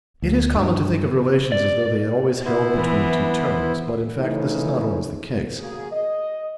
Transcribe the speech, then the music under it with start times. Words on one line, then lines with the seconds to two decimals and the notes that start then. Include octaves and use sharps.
It is common to think of relations as though they always held between two terms, but in fact this is not always the case.
0.22 D2
0.56 G2
1.52 D5
2.45 B3 E4 C5
2.75 E3
4.19 C#3 E3 A3 C#4 D#4 E4
5.59 C#3 A#3 F#4 G#4
5.92 D#5